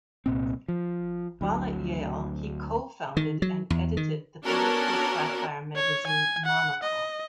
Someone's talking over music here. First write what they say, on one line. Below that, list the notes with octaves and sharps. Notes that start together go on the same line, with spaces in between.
While at Yale, he co-founded and edited the political satire magazine "Monocle".
C2 A#2 C4
F3
D2 F#3
D#3
F#3
E2
D#3
B3 C#4 D4 F#4 A4 A#4
C#5
G#5
F#5
D#5